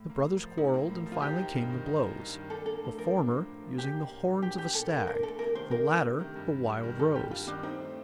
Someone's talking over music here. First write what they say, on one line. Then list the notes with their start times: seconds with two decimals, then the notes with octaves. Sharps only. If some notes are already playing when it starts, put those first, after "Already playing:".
The brothers quarrelled, and finally came to blows; the former using the horns of a stag, the latter the wild rose.
Already playing: A2
0.10 A#3
0.25 A2
0.42 F3
0.58 A2 D#4
0.74 A#3
0.90 A2
1.06 F3
1.12 F4
1.22 D#4 G4
1.38 A#3
1.54 G2
1.70 D#3
1.86 D#4
2.02 A#3
2.18 G2
2.35 D#3
2.50 D4 A4
2.66 A#3 A4
2.83 A2
2.98 F3 A#4
3.14 D4
3.31 A#3
3.46 A2
3.63 F3
3.78 D4 G4
3.94 A#3
4.10 A#2
4.27 F3
4.42 D4 G4
4.58 A#3 G4
4.75 A#2 A4
4.91 F3 A#4
5.00 C5
5.07 D4 A#4
5.23 A3 A4
5.39 C3 A#4
5.55 D#3 C5
5.71 D4 A#4
5.87 A3
6.03 C3
6.19 D#3
6.36 G2
6.51 G3
6.68 G2
6.83 D#3
6.99 G2 A4
7.15 G3 G4
7.31 G2 F4
7.47 D#3 D4
7.63 C4 D#4
7.80 A3